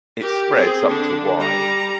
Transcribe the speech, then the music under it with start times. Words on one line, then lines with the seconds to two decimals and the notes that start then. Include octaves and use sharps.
It spreads up to wide.
0.21 G4 A#4
0.52 C4 G#4
0.87 D3 D4
1.38 G3 A#5